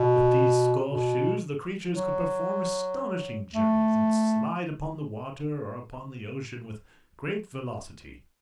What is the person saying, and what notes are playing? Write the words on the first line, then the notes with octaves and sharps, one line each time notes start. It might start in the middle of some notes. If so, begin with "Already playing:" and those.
With these skull-shoes the creatures could perform astonishing journeys, and slide upon the water, or upon the ocean, with great velocity.
Already playing: B2
B2
F#3
A3